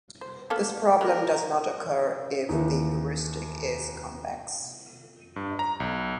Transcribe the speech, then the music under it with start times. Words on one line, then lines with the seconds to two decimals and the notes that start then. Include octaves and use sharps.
This problem does not occur if the heuristic is convex.
0.21 C5
0.50 A#3 B3 A4
1.01 F#3 B3 A#4
2.49 D#2 E3
5.36 G2
5.59 A#5
5.80 B1